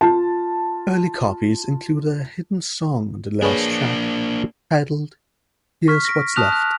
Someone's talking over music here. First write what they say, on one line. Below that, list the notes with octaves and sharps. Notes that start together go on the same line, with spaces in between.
Early copies included a hidden song on the last track, titled Here's What's Left.
F4 A5
A#3 D4 G#4 B4 C#5
C#6 F6 B6
A#6 D7
A5 D#6 F6 F#6 F7
F#6